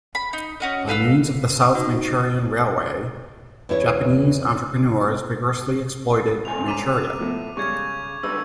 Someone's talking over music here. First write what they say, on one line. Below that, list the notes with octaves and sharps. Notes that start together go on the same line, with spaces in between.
By means of the South Manchurian Railway, Japanese entrepreneurs vigorously exploited Manchuria.
B5
D#4
C#4 F#4 D#5
A4 B4 F5 E6
D#4 F#4 D#5
E2 C#4 E4 C#5
G2 C3 G#5 F7
A#5 D6 B6 D#7
A2 F3 A3 B3
C#3 G3 G#3 C#6 G#6
C#2 D3 G3 D4 B4 E6